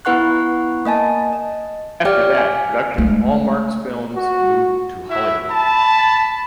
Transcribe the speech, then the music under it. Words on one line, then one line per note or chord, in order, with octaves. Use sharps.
After that, production of all Marx films moved to Hollywood.
B3 E4 B4 F#5 C#6 F#6
A#3 D#5 G#5 A5
D#5
G4 C#5 D5 G5 D6 F6
F5 G#5
G#3 A3
F#4
E4 F#4 E5
A5 B5